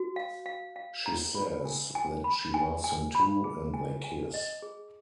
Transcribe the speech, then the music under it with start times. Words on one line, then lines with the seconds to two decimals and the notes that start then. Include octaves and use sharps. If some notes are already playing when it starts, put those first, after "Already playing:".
She says that she loves him too, and they kiss.
Already playing: F#4
0.16 F5
0.46 F5
0.76 F5
1.06 A#5
1.35 B5
1.65 G#5
1.95 G#5
2.24 B5
2.54 G#5
2.84 G#5
3.15 B5
3.44 G#4
3.74 G#5
4.04 G#5
4.34 D#5
4.62 G#4